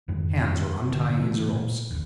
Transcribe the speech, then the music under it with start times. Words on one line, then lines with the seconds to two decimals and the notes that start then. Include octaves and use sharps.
Hands were untying his ropes.
0.08 F2 G#2 D#3 G#3
0.88 G#2 D3 B3
1.20 C#3 E3 F#3 A3
1.55 A#2
1.91 F1 A#1 D#2